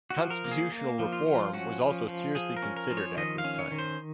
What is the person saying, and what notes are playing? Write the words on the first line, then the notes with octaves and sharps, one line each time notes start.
Constitutional reform was also seriously considered at this time.
F#4
F3
A#4
A#3
G#4
A#3
F3
F4
F3
C#4 F#4
F3
F3
F3 G#4
A#4
C#4
A#4
F3
C#5
D#3 D#5
F5
C#4
C#5
D#3
C5